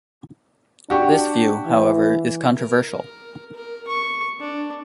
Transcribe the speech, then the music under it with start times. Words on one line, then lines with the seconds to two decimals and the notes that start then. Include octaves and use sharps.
This view, however, is controversial.
0.90 D4 F#4 G4 C#6
1.66 E3
2.56 A#4
3.55 A#4
3.88 C#6
4.40 D4